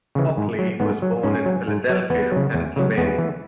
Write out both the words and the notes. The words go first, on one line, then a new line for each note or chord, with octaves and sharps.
Hockley was born in Philadelphia, Pennsylvania.
C#3 E3
G#2
F#3
G#2 B3
F#3
G#2 C#4
F#3
G#2
F#3
E2 B3
C#3 F#3
E2
C#3 F#3
E2 B3
E3